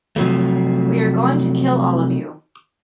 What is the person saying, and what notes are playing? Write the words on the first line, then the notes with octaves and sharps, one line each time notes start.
We are going to kill all of you.
C3 F3 F#3 A3